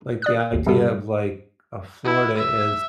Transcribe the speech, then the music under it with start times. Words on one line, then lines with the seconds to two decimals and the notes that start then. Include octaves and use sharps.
like, the idea of like, uh, Florida is
0.22 D5 D#6 F#6
0.53 G#1 D#2
0.67 G2 C3 B3 A4
2.05 E4
2.37 E5